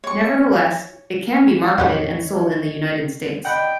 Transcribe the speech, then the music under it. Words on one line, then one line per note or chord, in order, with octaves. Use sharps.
Nevertheless, it can be marketed and sold in the United States.
C#5 C#6
E2 A2 G3 G4 C#5 D#5 F#5
D5 D#5 F#5 G5 B5